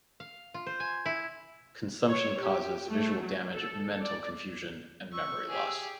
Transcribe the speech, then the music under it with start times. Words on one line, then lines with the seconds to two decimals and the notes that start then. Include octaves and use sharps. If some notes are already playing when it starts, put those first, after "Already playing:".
Consumption causes visual damage, mental confusion, and memory loss.
0.20 F5
0.54 F4
0.66 C5
0.80 G#5
1.06 E4
2.08 C#5
2.40 G4
2.88 A3
3.20 F#3
3.51 A4
4.01 D5
5.12 C#6 E6
5.48 G4 G#4